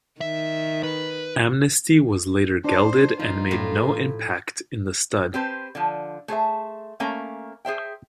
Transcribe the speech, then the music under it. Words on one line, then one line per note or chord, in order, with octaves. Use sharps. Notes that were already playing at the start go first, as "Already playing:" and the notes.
Amnesty was later gelded and made no impact in the stud.
D#3 E5
B4
D4 C5
F3 A#3 D#4 F4
A2
C4 G4 B4 C5
D3 F3
A3 G#4 C5 E5
A3 A#3 C#4 G#5 A#5
G#4 C5 E5 G5